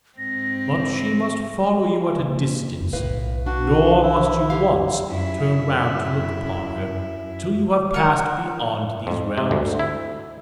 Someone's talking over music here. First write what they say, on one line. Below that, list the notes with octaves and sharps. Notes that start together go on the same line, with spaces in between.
But she must follow you at a distance, nor must you once turn round to look upon her till you have passed beyond these realms.
G#2 C4 A#6
C#3 A#3
F2 E4
B1 A2 B4 F5
D4 F#4
E4
D3 G4 F5
F#2 E4
A#4 F#5
F2
C3
D2
E4